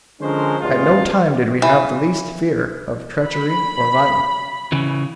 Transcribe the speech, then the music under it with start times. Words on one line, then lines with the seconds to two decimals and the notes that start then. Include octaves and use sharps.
At no time did we have the least fear of treachery or violence.
0.21 D3 F3 G#3 C#4 A#4 C5
0.61 A1 E2 G#3 F4
1.62 E3
3.26 B5
4.72 C#3 E3